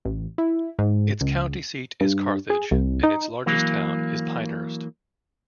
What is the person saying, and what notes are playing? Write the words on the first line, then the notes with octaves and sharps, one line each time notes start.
Its county seat is Carthage and its largest town is Pinehurst.
A1
E4
G#2
C#2
G2
G#4
C2
D#4
E3 F#3 A#3